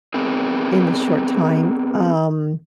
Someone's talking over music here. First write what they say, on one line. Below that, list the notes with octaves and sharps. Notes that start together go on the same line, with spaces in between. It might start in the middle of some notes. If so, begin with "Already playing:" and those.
in the short time, um
B3 C4 G#4 A#4 B4